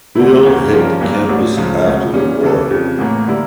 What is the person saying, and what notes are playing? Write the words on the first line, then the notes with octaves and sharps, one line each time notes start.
Bill hit the campus after the war.
E2 D3 A3 E4
D2 C#3 E3 A#3
G2 F3 C#4 G4 A#4
G1 G2 E3 A#3
A1 A2 G3 D4
C#2 C#3 F3
E1 D2 C#3
A#2 G3 C#4
C#3 E3 G3 D4 A4
F2 C#3 G3
A1 A2 E3 A#3
D3 G3 A#3 E4